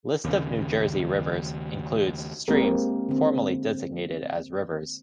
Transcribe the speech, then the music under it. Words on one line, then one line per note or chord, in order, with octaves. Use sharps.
List of New Jersey rivers includes streams formally designated as rivers.
D#2 C#3
G#3 A#3 C4 D4 G4 A#4
D3 C4